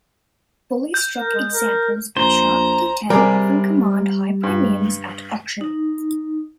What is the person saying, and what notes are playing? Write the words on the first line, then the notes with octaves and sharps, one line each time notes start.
Fully struck examples with sharp detail often command high premiums at auction.
G6
A#4
G#3
A#4
A#1 C5 A#5
C3 G3 G#4 A#4
G2
D#4